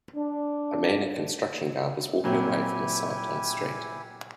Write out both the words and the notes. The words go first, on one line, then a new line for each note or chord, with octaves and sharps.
A man in construction garb is walking away from a site on a street.
D4
A#2 F#3 C4 E4 G4 G#5